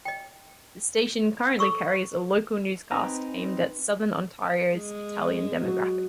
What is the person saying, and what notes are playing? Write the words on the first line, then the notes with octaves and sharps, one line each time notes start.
The station currently carries a local newscast aimed at Southern Ontario's Italian demographic.
D#5 G5
A4 C#6 E6
C4 D#4 B4 G#5 A#5
G#3
F#3 F#4